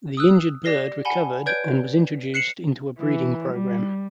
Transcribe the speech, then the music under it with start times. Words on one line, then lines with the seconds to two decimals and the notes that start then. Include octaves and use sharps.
The injured bird recovered and was introduced into a breeding programme.
0.17 D#6 E6 F#6
0.64 G4 D5 A#6 C7 G7
1.05 F#5 G#5 A5 B5 G7
1.46 B4 C#5 D5 G6 G#6 D7
2.34 F#6 C7 C#7 E7 F#7
2.98 E3
3.52 G3